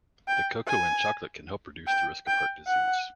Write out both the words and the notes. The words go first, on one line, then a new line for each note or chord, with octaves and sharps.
The cocoa in chocolate can help reduce the risk of heart disease.
G5
G#5
G5
G5
F#5